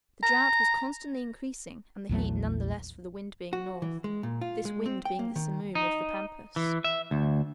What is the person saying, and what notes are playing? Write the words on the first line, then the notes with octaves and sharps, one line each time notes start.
The drought was constantly increasing, and the heat none the less for the wind being north, this wind being the simoom of the Pampas.
A#5
A#1 E2 F#3 A3
F#4
E3
G#3
A#2
F4
G#3
C4
G5
A#3
D#3
D#4
E3
E5
D2